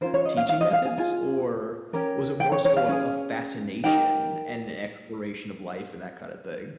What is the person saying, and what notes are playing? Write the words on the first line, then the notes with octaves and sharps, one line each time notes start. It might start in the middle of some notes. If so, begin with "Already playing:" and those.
teaching methods, or, was it more so a a fascination, and exploration of life and that kind of thing?
C#4 F4 A#4 C5
C#5
D#5
F5
F5
D#5
F5
G#5
F4 G#4 G#5
C#4 G4 A#4
G5
C#5
C#5
F5
C#4 G#4
D#4 G4 A#4 G5